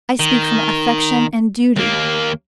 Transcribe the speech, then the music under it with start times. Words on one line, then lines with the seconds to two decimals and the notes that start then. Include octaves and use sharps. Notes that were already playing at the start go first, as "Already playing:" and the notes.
I speak from affection and duty.
0.19 D#3
1.76 D#2 A#3